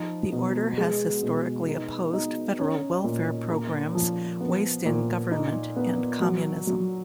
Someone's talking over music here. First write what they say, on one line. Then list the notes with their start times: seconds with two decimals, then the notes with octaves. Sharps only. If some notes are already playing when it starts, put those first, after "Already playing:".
The order has historically opposed federal welfare programs, waste in government and Communism.
Already playing: F3 D#4
0.32 B2
0.77 G#3
1.23 B2
1.68 D#4
2.13 D#4
2.59 C#4
3.04 A#2
3.50 A#3
3.95 F3
4.41 B3
4.86 A#2
5.31 D#4
5.76 B3
6.22 F#3
6.67 F#3